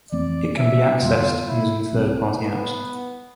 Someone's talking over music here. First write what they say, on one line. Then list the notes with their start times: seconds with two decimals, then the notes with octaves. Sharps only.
It can be accessed using third party apps.
0.12 F2 E3 A3 C4 D5
0.57 E5
1.02 F2 D3 G3 B3 F4
1.47 E4
1.92 C2 B2 G3 C4
2.36 B3